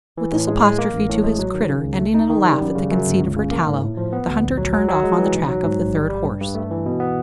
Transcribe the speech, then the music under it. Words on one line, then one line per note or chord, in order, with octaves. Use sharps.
With this apostrophe to his "critter," ending in a laugh at the conceit of her "tallow," the hunter turned off on the track of the third horse.
E3
A2
G#3
G#3
A#3
A1
A2
G#3
F#3
D#3
C#3
C#2
A3
D#4
D#3
G3
F#2
C#3
F#2
G1
C#2
C#3
A#3
G#2
A2
F3
B3
D2
A#1
F#3
F#3
F#3
G#3
E3
B1
F#3
G#2
A1
G3
G3
G2
G2
A3
E3
B2
B3